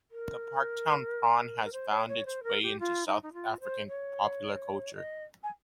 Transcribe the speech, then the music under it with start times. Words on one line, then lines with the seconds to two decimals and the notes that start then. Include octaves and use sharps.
The Parktown prawn has found its way into South African popular culture.
0.11 A#4
1.64 A#4
1.72 C5
1.90 C#5
2.08 C#5
2.26 C5
2.43 A#4
2.62 G4
2.79 F4
3.06 D#4
3.22 D#4
3.33 F4
3.60 C5
3.87 C#5
4.95 D#5
5.43 G#5